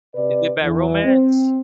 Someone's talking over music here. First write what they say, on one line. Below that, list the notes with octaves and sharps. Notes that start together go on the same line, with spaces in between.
is it Bad Romance?
C3 B4 D5
E2 E3
C4